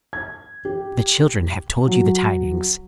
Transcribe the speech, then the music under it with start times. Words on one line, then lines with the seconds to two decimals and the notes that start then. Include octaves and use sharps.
The children have told you the tidings.
0.13 G#6
0.65 G4
1.88 F#3